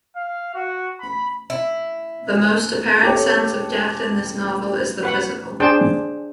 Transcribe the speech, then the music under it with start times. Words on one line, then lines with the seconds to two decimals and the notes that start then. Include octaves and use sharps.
The most apparent sense of death in this novel is the physical.
0.16 F5
0.54 F#4
1.00 B5
1.50 E4
3.03 G4 A4 C#5
5.03 B4 F#5 B5
5.60 D4 G#4 C5 G5 A5